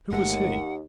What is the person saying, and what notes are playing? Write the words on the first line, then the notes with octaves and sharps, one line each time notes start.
"Who was he?"
G1 D#2 G#3 A3 F#5